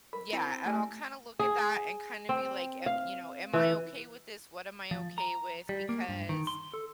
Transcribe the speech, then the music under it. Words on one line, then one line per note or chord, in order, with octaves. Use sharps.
Yeah, and I'll kinda look at that and kinda be, like, i you know, "Am I okay with this? What am I okay with?" Because,
A#4 B5
C4 E4
G3 A3 E5 G#5 E6
G#4
C4
F5
E3
F3
A#5
G3
A#3
G2
D#3
C6
A4